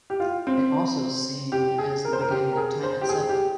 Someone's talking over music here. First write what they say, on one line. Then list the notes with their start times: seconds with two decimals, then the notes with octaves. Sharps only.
It is also seen as the beginning of Time itself.
0.10 G4
0.20 F4
0.47 C4
1.52 G4
1.78 G#4
2.05 A#4
2.13 C5
2.21 A#4
2.31 G4
2.53 A#4
2.57 G#4
2.83 C5
3.01 G4
3.09 G#4
3.29 G4